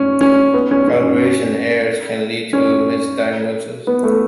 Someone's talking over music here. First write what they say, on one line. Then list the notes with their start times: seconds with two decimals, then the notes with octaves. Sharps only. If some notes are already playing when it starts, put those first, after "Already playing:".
Calibration errors can lead to misdiagnosis.
Already playing: C#4
0.21 C#4
0.54 B3
0.71 C#4
0.88 C#4
1.03 C#4
2.53 C#4
3.87 B3
4.03 A3